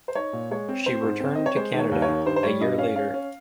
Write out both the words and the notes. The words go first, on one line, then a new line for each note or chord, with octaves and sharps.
She returned to Canada a year later.
C5
D#4 C#5
A#2
G#3 C#5
C4
C4 C5
G#2
C4
C4 D#5
C#5
G#3 C5
D#3
C#5
D#2
C#5
D#3
G2 C5
C5
G3 C#5
G2 D#5
C#4 F5
C#4 F5
C#4